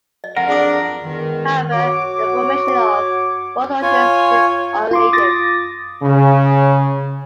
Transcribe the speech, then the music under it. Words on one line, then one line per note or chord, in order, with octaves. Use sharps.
However, the formation of both oceans seems unrelated.
D#5
F2 A#4 F#5
D4 G#4 D#6
E2 D#3 G#3 B3
F#4 C#5 D6
F4 C#5 G#5
F4 C6 D6
D6 D#6 A6 A#6
C#3